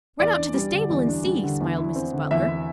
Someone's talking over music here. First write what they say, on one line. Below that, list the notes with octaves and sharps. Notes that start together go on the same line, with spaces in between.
"Run out to the stable and see," smiled Mrs. Butler.
E2 D5
D4
G3
D3
E2
D4
G3
D3
E2
E4
C4
D3
E2 E5
E4